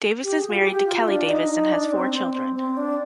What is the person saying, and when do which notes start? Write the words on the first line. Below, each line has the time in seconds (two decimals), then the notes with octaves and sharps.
Davis is married to Kelly Davis and has four children.
0.23 G4
0.40 G#4
0.50 F4
0.56 G4
0.72 G4
0.87 F4
1.08 D4
1.29 D#4
1.51 D#4
1.72 D4
1.93 C4
2.13 C4
2.34 C4
2.56 C4
2.77 D4